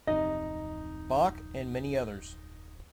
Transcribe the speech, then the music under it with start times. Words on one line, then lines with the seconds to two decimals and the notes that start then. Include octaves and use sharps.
Bach, and many others.
0.07 D1 F2 C3 D#4 D#5